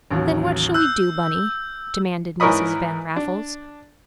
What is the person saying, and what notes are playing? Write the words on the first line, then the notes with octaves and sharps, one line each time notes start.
"Then what shall we do, Bunny?" demanded Mrs. Van Raffles.
A1 D#2 F#3
E6 F#6 G6
G#2 E3 A#4 C#5 D#5 B5
D4